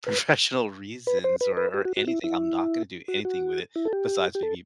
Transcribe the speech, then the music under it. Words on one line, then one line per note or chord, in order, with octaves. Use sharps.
professional reasons, or or anything. I'm not going to do anything with it, besides maybe
B4
B4
C5
B4
B4
G4
F#4
F#4
E4
E4
F#4
F#4
E4
A4
G4
G4
A4